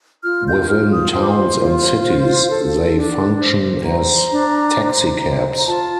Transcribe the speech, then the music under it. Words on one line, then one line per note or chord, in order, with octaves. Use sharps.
Within towns and cities, they function as taxicabs.
F4 F6
G6
F4 F6
D#6
C5 C6
D6
C6
F4
C5
A4
D4
C5
C5 A#5
D4
C5
C5
A#5
F4 A5